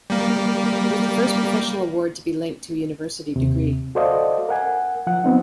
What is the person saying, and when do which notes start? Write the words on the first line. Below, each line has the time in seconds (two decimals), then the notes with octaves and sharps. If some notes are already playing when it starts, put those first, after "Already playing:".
It was the first professional award to be linked to a university degree.
0.10 G3 A#3
3.36 D#2 C3
3.95 F#4 A4 C5 D5 D#5 F5
4.49 A#4 F#5 G#5
5.07 F3 F#5
5.24 F3 B3 C4 D#4